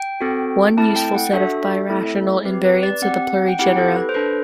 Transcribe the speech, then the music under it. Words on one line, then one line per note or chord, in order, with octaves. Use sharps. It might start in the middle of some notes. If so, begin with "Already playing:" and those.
One useful set of birational invariants are the plurigenera.
Already playing: G5
C4 F#4 A4
A3 C4 E4 A4 A5
G5
F#5
D4 F#4 A4 E5
A3 C4 E4 A4
C4 B4
G4
B4
D5
C4 G4 F#5
G5
C4 E4 G4 F#5
A4
B4
C5
D4 A4 B4